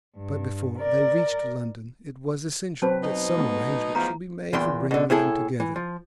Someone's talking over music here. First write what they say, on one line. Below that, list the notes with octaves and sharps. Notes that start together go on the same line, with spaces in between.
But before they reached London it was essential that some arrangement should be made for bringing them together.
G2
A#4 D5
F#3 C4 B4 C5 A5
B2 D#4
A3 B3
E2 G#2 F3 E4 A#5
E2 A#2 E3 G5 C6
B2 D3
A2 E4 G#4 A4
E3
F3